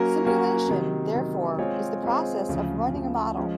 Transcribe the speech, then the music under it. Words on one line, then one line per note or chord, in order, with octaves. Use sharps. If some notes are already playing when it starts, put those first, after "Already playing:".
Simulation, therefore, is the process of running a model.
Already playing: F#3 A#3 C#4 F#4 A#4
F#3 A#3 C#4 F#4 A#4
C3 D#3 F#3
C3 D#3 F#3
G#3 C4 F4 G#4 C#5
G#3 C4 F4 G#4 C#5
D2 C#3 F3
D2 C#3 F3
F3 G#3 C#4